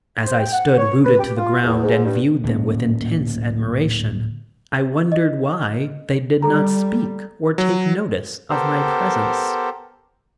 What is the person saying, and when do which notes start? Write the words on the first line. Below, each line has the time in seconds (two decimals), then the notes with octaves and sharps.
As I stood rooted to the ground and viewed them with intense admiration, I wondered why they did not speak or take notice of my presence.
0.24 C5
0.39 G5
0.53 F#5
0.78 C#5
1.05 B4
1.19 G4
1.37 F4
1.63 E2
1.84 G#2
2.04 G2
2.44 D1 A#2 C#4
5.12 D#5
6.42 G3 A4 A#5
7.58 F#3
8.50 B3 G4 A4 A#4 C5